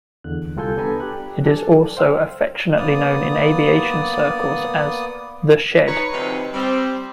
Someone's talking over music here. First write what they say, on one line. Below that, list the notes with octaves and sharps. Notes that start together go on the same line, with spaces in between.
It is also affectionately known in aviation circles as "The Shed".
E2 D3 F#6
C2 G3 F4 A4 G#5 G6
B3 D4 A4 G#5 A#5 B5
G4 F#6
A4 D5 G#5 A5
C5 F5 G5 E6 F6
A#3 B3 D5 D#6
D#4 B4 C#5
D2 C3 F3 C4 D#4 B4
G3 C4